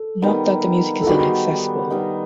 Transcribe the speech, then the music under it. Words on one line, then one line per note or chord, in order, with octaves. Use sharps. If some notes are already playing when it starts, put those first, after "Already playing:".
Not that the music is inaccessible.
Already playing: A4
D#3 G3 B3 D#4
A4
D#3 G3 B3 D#4 F#4 G#4
D#3 G3 B3 D#4